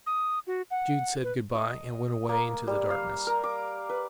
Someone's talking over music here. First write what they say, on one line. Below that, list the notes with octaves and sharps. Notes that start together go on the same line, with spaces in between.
Jude said good-bye, and went away into the darkness.
D#6
F#4
F#5
B4
D#5
A#3
G3
F5
A#4
D6
B4